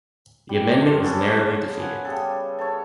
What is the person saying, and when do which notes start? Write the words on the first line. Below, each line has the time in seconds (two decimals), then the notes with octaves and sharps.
The amendment was narrowly defeated.
0.49 G3
0.80 A3 F4
1.03 B3 C#4 A4 D5
1.78 F#5 G#5
2.05 C#3 G3 A4
2.59 A4 C#5